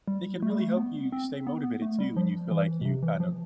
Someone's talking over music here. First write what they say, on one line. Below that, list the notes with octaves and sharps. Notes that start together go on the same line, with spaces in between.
it can really help you stay motivated, too, when you feel like you kind of
G3
A3
G3
A3
B3
C4
B3
B3
A3
G3
F3
E3
B2
C3
E3
F3